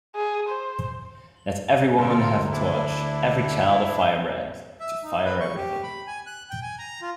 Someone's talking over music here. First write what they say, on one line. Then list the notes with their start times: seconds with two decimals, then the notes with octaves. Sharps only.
"Let every woman have a torch, every child a firebrand" to fire everything.
0.16 G#4
0.49 C5
1.98 D2 G#2 F4 A4 A#4
2.51 D4 E4
4.80 E5
5.04 D#4
5.25 B4
5.40 C#6
5.57 G4
5.83 B5
6.07 G#5
6.26 F#6
6.50 G5
6.62 G#5
6.79 A#5
7.02 F4